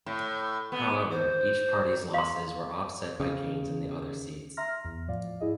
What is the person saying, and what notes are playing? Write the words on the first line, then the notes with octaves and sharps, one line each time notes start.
However, each party's losses were offset by gains in other seats.
A2
B3
C5
F5 C6
C#3
E5 A#5 C6 F6 A#6
E2
A2 F3 D5 F5
G#2 E4 G#4 D#5